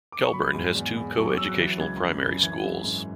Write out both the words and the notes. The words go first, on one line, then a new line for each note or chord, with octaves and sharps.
Kelburn has two co-educational primary schools.
D6
C#6
F#3 B5
G#2
E2
E2
F#3 C#6
D6
F#3 E6
F#6
E3 A6
C#2 G#6
F#2
F#2
E3 G#6
F#2
G#2